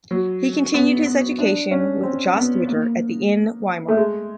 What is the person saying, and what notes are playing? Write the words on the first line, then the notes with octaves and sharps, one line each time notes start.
He continued his education with Jost Witter at the in Weimar.
F#3
B3
B3
D4
C#4
C4
B3
A#3
A3
G#3